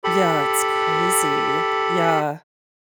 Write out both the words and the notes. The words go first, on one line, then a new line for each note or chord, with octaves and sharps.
Yeah, it's crazy. Yeah,
G4 A4 B5